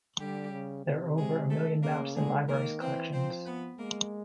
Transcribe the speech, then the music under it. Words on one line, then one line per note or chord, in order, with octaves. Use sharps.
There are over a million maps in the Library's collections.
D3 G3 G4
C#3
C3
G#3 G#4
A3 A4
C#3 A#3 A#4
D3 G#3 G#4
D#3 A#3 A#4
E3 C4 C5
F3 C4 C5
B3 B4
G#3 A#3 A#4